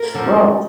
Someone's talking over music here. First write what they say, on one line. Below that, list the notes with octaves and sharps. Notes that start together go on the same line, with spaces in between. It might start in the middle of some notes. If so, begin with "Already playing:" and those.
S well
Already playing: A#4
F#2 D3 F3